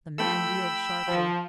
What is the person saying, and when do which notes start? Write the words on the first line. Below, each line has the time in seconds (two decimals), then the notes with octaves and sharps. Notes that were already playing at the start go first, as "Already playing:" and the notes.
The man wheeled sharply.
0.18 F3 A3 A4 G5 B5 E6
1.07 F3